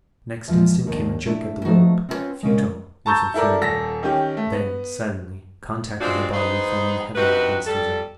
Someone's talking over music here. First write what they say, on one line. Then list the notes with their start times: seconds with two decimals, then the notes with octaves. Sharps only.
Next instant came a jerk at the rope, futile, if infuriated; then, suddenly, contact with a body falling heavily against his own.
0.48 E2 F3 G#3
0.87 D#2 A#3 D4
1.26 A3 D4 E4
1.65 F3 A3 B3 D#4 F#4
2.09 C4 C#4 E4 F4 B4 C#5
2.43 A#2 C#3 G#3
3.06 A5 A#5 C#6 E6 G6 A6
3.34 E4 A4 A#4 D5
3.61 D#1 A4 A#6 B6
4.03 D#3 C#4 G4
4.37 A3
4.52 B3
6.01 G3 G#3 C4 D4 F4 F#4
6.33 B3 D#4 G#4 B4 C5
7.16 G2 C3 D#4 F#4 B4
7.67 G3 A4